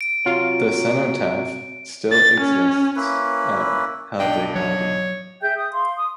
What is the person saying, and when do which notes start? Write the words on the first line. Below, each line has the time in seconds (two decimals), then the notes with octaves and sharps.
The cenotaph still exists at Haldighati.
0.01 D7
0.26 C3 F#3 F4
2.12 A6
2.41 C#4
2.95 A#3 C#4 E4 B4
4.19 B1 D4 D#5 G5
4.55 F#3 C#5
5.41 G#4 E5 G5 G6
5.56 D#6
5.73 F5 C6
5.96 D#6